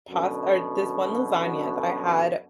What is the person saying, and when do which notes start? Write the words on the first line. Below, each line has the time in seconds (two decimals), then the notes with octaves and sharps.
past or this one lasagna that I had,
0.10 F#2 B2 D3